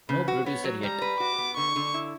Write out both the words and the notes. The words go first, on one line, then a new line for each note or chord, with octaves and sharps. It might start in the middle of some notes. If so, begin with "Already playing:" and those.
No producer yet.
C#3 B4
F#4
B3 C#5
F#3
G3 A#5
B4
F#4 D6
B3
D3 C#6
D3
E4